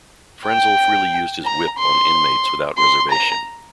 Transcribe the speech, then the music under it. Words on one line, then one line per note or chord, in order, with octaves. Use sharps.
Frenzel freely used his whip on inmates without reservation.
G5
A#5
C6
C6
A#5